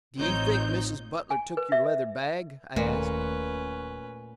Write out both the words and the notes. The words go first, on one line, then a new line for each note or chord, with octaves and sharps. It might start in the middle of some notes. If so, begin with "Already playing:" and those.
"Do you think Mrs. Butler took your leather bag?" I asked.
A1 C4 D#4 F4 C#5 G6
G#5
B4
E5
D#1 A#2 A3 C#4 B4